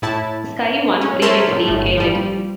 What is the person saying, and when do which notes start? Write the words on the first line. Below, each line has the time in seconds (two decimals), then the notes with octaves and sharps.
Sky One previously aired it.
0.02 A2 E4 A5
1.01 C#4
1.22 A#4 C5 C#5 E5 A5 C6
1.66 G1 A2 A3
1.97 F3 G3